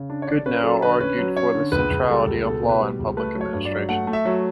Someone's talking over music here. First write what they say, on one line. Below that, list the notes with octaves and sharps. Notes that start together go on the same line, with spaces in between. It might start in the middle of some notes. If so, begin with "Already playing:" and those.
Goodnow argued for the centrality of law in public administration.
Already playing: C#3
D4
C#5
D3 D5
C#4 B4
F#3 A4
D3 B4
C#4 B4
F#3
C#4 C#5
D3
C#2 B4
C#2
G3 A4
C#2
B2 A4
B2
B4
G3
C#2
A3 B4
F#3
C#5
G2
D5
F#3
A3 F#5
A3
E5
F#3